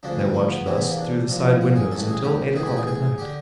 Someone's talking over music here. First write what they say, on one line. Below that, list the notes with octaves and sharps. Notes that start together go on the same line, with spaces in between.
They watched thus through the side windows until eight o'clock at night.
D2 C#3 F3 D4
C4
A#3
B3
E2 C3 E3 C4
B3
A#3
D4
C2 A#2 F3
F#4
G#4
A1 G2 E3 A4
G#4
G4
B1 A2 E3 G#4
G4
G#4
G#4
D3 G4